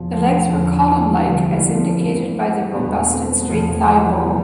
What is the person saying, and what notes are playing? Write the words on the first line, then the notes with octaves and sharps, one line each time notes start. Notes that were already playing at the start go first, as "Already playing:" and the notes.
The legs were column-like, as indicated by the robust and straight thigh bone.
Already playing: E2 B2 F3
F3 A3
E2 D3 F3
E3
D2 C3 E3 F3
E3 G3
F3 A3
G2 E3 C4 E4
E2 B2 B3 D4
A3 C4
B3
E2 C3 E3 F3 A3
F3
E3 G3
F3 A3
C3 E3 G3 B3